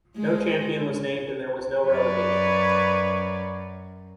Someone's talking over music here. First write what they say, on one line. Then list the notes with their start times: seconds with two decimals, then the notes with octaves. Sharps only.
No champion was named and there was no relegation.
0.16 G#3
1.88 F#2 B4 C#5 D5